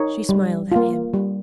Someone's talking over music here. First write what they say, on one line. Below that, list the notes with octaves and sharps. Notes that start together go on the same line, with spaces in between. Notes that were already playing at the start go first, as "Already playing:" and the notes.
She smiled at him.
Already playing: D#4 A#4 C#5
G3
A#3 F4
G3